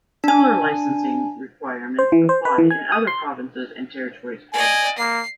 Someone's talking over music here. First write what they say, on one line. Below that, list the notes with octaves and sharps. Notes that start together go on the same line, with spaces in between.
Similar licensing requirements apply in other provinces and territories of Canada.
D4 G#5
C5
E3
C5
B4
E3
G#5
D#6
C6
D5 D#5 G#5
A#3 C7